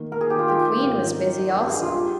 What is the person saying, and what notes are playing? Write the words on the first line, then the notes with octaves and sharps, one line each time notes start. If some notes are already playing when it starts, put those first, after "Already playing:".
The Queen was busy also.
Already playing: D#3 A#3
A#3 A#4
G#4
D#3 G4
F4
D#3 G4
G3
G#2
D#3
D#4
D#4
G2
G#4
D#4
F4
G3 G4